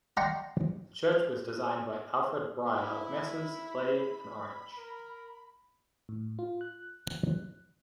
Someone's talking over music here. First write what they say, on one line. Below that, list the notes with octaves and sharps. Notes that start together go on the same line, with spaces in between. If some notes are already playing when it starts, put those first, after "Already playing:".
The church was designed by Alfred Bryer of Messrs. Leigh and Orange.
D5 F#5 G5 A#5 C6 C#6
E4 B5
A#4
A2
F4
F#6